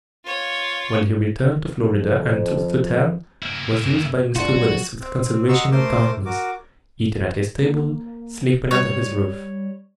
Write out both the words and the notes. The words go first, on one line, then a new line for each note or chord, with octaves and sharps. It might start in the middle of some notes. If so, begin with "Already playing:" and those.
Well, he returned to Florida, and, truth to tell, was used by Mr. Willis with consideration and kindness, eating at his table, sleeping under his roof.
F4 C#5
F2
A#3 E4
F#2
G1 D4 F4 F#4
F#3
C4
F#4 D#5 A#5 C6 C#6 E6
A3 A#4 C5 C6 D6
F#4 A#4 D6
A#3
G3 C#5